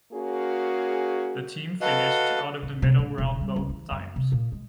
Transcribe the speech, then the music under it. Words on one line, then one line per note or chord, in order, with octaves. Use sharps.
The team finished out of the medal round both times.
A#3 C#4 F#4 G#4
F#4 A4 B4 D#5 F5
A1
C3
A2
E1
G3
C#2
E3
F#2
C3
A#2
G#3